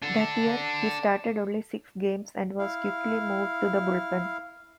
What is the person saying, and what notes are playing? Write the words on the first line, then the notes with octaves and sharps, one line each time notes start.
That year, he started only six games and was quickly moved to the bullpen.
D4 A4
E4 F5